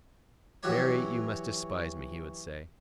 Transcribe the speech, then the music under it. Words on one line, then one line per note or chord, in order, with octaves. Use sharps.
"Mary, you must despise me!" he would say.
E3 F#3 F#4 G4 C#5